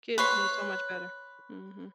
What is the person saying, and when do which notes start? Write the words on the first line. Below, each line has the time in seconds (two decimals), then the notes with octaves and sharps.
Kids do so much better. Mhm.
0.18 B4 C#5 C6